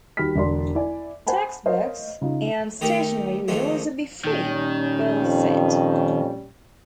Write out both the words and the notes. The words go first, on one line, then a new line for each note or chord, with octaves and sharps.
Textbooks and stationery would also be free, Bole said.
D#2 G3 F#4 B5 F6 B6
E1 D3 D5 C6
E4 D5 G#5
C5 F#5 G#5 A5 B5
A#4 C5 C#5 D#5 F5
C#3 D#4 F4
D#3 A3 D#4 G4 A#4
D#3 F3 G#3 A3 D4
A#2 D#3 G3 C#4
F2